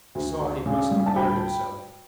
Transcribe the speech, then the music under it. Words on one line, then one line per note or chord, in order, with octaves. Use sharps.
He saw he must declare himself.
D2
D2
C#3
G3
A5
D2 G5 B5